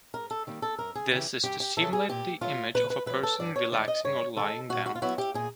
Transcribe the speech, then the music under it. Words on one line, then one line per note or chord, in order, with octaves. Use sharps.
This is to simulate the image of a person relaxing or lying down.
G#2 A#4
A4
D#3 G3 A#3
A4
F#2 A#4
G#4
C#3 E3 G4
F#2 G4
G4
C#3 E3 A4
G#4
A#2 G4
F#3 A3 F4
A#2 B4
B4
F#3 A3 B4
A4
G2 D5
C#5
D#3 G#3 D5
D#5
G2 C#5
D#3 G#3 A4
A#2 F#4
F#4
F4
F#3 B3 E4 F#4
G4
A#2 G#4